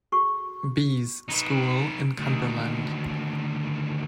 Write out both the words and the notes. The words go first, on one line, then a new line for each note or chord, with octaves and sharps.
Bees School in Cumberland.
F#4 G#4 A4 C#6
D#4 B4
D2 D#3